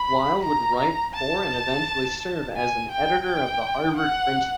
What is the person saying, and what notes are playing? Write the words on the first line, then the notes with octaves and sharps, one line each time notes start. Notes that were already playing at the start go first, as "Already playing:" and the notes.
Weil would write for and eventually serve as an editor of the Harvard Crimson.
Already playing: B5
A#5
A5
G#5
G5
G5
F#5